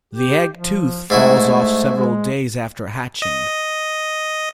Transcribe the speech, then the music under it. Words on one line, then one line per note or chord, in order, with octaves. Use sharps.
The egg tooth falls off several days after hatching.
G4
F3
G#2 A3 E4 F#4
G#3
D#5